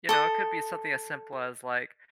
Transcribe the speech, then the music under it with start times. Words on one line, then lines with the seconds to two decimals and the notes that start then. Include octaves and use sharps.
you know, it could be something as simple as like
0.09 A4 D#6